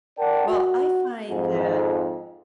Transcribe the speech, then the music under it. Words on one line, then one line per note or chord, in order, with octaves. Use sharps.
Well, I find that
A#4 D5 F#5 G5 A5
F#4
F2 G#2